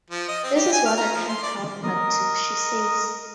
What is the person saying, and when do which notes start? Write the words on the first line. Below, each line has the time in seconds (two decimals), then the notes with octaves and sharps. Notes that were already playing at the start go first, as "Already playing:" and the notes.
This is what I can't help but do, she says.
0.11 F3
0.28 D#5
0.44 C4
0.55 G4
0.72 G#5
0.86 F6
0.97 A#5
1.15 F3
1.29 C6
1.43 D5
1.83 A#4 D#5 D#6